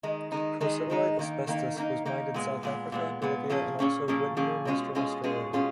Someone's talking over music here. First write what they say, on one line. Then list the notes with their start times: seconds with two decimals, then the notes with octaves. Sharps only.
Crocidolite asbestos was mined in South Africa, Bolivia and also at Wittenoom, Western Australia.
0.03 D#3 G#3 D#4
0.32 D#3 G#3 D#4
0.61 D#3 G#3 D#4
0.90 D#3 G#3 D#4
1.19 D#3 A#3 D#4
1.47 D#3 A#3 D#4
1.76 D#3 A#3 D#4
2.05 D#3 A#3 D#4
2.34 A#2 G#3 B3
2.63 A#2 G#3 B3
2.92 A#2 G#3 B3
3.22 A#2 G#3 B3
3.50 A#2 F3 A#3 C#4 G#4
3.79 A#2 F3 A#3 C#4 G#4
4.08 A#2 F3 A#3 C#4 G#4
4.37 A#2 F3 A#3 C#4 G#4
4.65 B2 G#3 C#4 F4 G#4
4.95 B2 G#3 C#4 F4 G#4
5.24 B2 G#3 C#4 F4 G#4
5.53 B2 G#3 C#4 F4 G#4